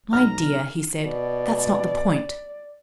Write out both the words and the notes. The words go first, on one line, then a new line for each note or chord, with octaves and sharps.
'My dear,' he said, 'that's not the point.
B1 A#5 F6
B2 D5